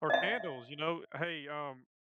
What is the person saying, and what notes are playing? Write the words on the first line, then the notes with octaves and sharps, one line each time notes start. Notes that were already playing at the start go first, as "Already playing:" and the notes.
Or candles, you know, "Uh, hey, um,
D#5 E5